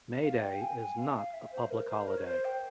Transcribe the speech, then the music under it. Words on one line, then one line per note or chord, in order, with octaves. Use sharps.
May Day is not a public holiday.
F5
G5
G#5
G#5
F5
F5
E5
C5
A#4
C5
A#4
C#5
C5
G5